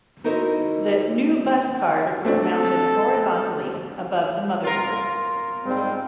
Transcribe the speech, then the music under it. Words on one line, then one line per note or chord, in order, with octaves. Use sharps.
The NuBus card was mounted horizontally above the motherboard.
D#4 E4 F#4 A#4 C5 D#5
A3 C4 D4 A4
F4 A#4
G#2 G3 C4